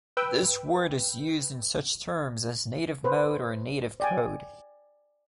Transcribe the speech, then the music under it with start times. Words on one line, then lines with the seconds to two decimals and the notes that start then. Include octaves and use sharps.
This word is used in such terms as native mode or native code.
0.17 B4 G5 E6
3.04 B4 C5
4.00 D5 G5 G#5